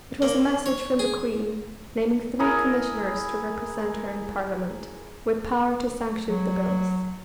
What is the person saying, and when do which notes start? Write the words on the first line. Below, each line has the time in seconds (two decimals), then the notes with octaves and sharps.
It was a message from the Queen, naming three commissioners to represent her in Parliament, with power to sanction the bills.
0.22 A#3
0.66 C#5
0.99 G#4
2.39 E4 G#4 A#4
6.28 F#3